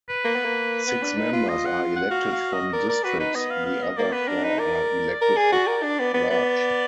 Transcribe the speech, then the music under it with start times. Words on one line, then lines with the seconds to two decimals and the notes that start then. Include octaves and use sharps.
Six members are elected from districts the other four are elected at large.
0.09 B4
0.25 A#3
0.35 B3
0.45 A#3
0.88 B3
1.02 D4
1.18 D#4
1.33 F4
1.49 D#5
1.65 F#5
1.96 F#5
2.11 F#4 F5
2.32 F5
2.53 D#5
2.73 A#4 D5
2.88 A#4 D5
3.04 F#4 B4
3.20 D#4 B4
3.35 B3 D#5
3.50 F5
3.66 F5
3.82 D#5
3.97 A#3 D5
4.12 B3 B4
4.28 D4 A#4
4.44 D#4 B4
4.59 A#4 D5
5.22 A#4
5.36 G#4
5.52 F#4
5.67 A#4
5.83 D4
5.99 B3
6.14 B3
6.30 B3
6.46 D5